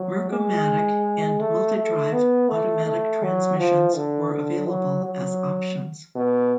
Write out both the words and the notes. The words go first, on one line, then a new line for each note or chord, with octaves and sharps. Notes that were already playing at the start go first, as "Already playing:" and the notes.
Merc-O-Matic and Multi-Drive automatic transmissions were available as options.
Already playing: F#3
G#3
A3
A3
B3
A3
A3
F#3
F3
D3
D3
F#3
F#3
B2